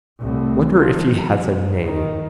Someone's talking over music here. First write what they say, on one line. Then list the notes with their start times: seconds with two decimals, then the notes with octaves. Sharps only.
Wonder if he has a name.
0.20 C2 A2
0.75 D#3 F3
1.26 G2
1.85 D#3